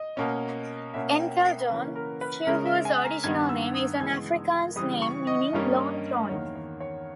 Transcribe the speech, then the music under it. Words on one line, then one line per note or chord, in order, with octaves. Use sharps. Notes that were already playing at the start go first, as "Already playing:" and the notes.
Enkeldoorn, Chivhu's original name, is an Afrikaans name meaning "lone thorn".
Already playing: D#5
B2 A#3 C#4
B2 A#3 C#4 E5
G5
E5
C#3 E3 A#3 C#4 B4
A#4
B4
C#3 G#3 C#4 A#4
E5
G#5
A#5
G2 D#3 G3 B3 G#6
E6
D#6
C#3 E3 G#3 B3 G#6
C#3 E3 G3 D#6
C#6
D#5
G2 G3 A#3 C#4
E2 D#3 A#3 C#5
C#5
C#5